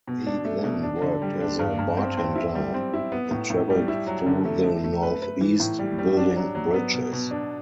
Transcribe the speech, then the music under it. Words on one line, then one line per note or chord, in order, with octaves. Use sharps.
He then worked as a bartender and traveled through the Northeast building bridges.
B2
D4
A3
B2
D4
D3
G3
D4
G2
G2
C4
C4
E4
G3
C4
E4
B3
A2
A2
G3
E4
F#3
D3
A3
A3
A3
B4
B4
E3
A2
G3
G3
D4
F#3
F#3
B3
B2
B2
D4